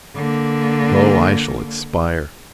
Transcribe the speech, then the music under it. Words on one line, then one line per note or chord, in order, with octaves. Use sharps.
O, I shall expire!
D3 A#3